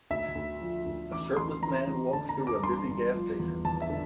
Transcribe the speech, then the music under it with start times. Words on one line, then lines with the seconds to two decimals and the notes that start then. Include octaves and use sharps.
A shirtless man walks through a busy gas station.
0.10 D2 E5
0.35 D2
0.62 F3
0.86 D2
1.12 A1 D6
1.37 A1 C6
1.62 A1 A#5
1.87 A1
2.13 D3 A5
2.29 A#5
2.37 D3
2.47 D6
2.63 G1 C6
2.88 G1
3.14 F3
3.40 E2
3.65 E2 A5
3.82 E5
3.90 D3